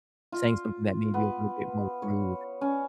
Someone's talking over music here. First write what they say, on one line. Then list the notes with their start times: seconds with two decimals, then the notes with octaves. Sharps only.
saying something that may be a little bit more rude
0.32 F4
1.14 B3
2.02 C#5
2.61 C#4